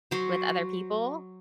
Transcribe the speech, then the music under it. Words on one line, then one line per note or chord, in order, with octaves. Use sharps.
with other people,
F#3 C5